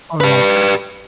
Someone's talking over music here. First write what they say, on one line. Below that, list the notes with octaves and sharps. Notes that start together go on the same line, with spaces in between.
or, like
G4 B4